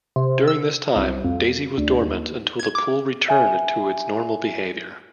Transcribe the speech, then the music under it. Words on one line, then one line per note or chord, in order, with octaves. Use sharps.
During this time, Daisy was dormant until the pool returned to its normal behavior.
C3
E6
C2
F2
D2
D#2
G#6
D6
E5 G#5